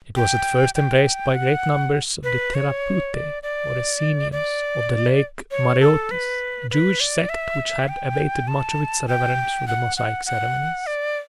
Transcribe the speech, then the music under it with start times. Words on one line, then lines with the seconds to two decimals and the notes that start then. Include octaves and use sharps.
It was at first embraced by great numbers of the Theraputae, or Essenians, of the Lake Mareotis, a Jewish sect which had abated much of its reverence for the Mosaic ceremonies.
0.16 G5
0.75 G5
1.34 F#5
2.24 B4
2.54 C#5
3.14 D5
3.43 D5
4.32 D5
5.51 C#5
5.81 A4
6.11 B4
6.70 B4
7.00 D5
7.29 E5
7.88 G5
8.48 A5
9.08 G5
9.68 F#5
9.97 F#5
10.26 F#5
10.87 D5